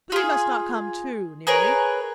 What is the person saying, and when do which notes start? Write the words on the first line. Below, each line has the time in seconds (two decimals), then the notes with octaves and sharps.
But he must not come too near me!'
0.12 F4 G#4
1.47 G#4 A#4 B4 C#5